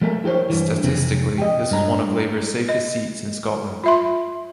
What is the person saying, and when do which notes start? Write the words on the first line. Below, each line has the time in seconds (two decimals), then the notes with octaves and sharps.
Statistically, this was one of Labour's safest seats in Scotland.
0.02 F3 A3 A4 A#4
0.24 E4 G4 A4 C5 C#5
0.50 G2 E3
0.84 F2 C3
1.38 G4 D#5
1.71 G2 A#5
2.69 D#5
3.84 F4 E5 C6